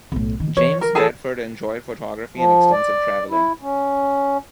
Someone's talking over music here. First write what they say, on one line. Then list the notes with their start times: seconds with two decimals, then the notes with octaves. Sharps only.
James Bedford enjoyed photography and extensive traveling.
0.12 B1 A2
0.40 D#3
0.57 E3 C#5
0.81 A#4
0.95 G#4 A4 A5
2.36 F3
2.72 D5
3.30 E4
3.62 C#4